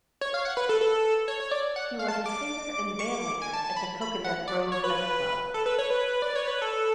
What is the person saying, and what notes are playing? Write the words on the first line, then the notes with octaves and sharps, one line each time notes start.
He was a singer and bandleader at the Cocoanut Grove night club.
C#5
F5
F#5
B4
A4
A4
C#5
C#5
D5
F#5
F5
A5
D6
C#6
D6
G#5
A5
A5
B5
B5
F#5
D5
C#5
B4
A4
B4
C#5
B4
D5
C#5
B4
A4